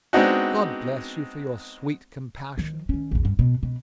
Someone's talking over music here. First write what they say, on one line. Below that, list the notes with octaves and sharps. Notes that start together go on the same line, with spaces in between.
"God bless you for your sweet compassion!"
G#3 B3 C4 D4 D#4 F#4
D#3 F3
D#3 C#4
A#1 E2
G2
B2
B2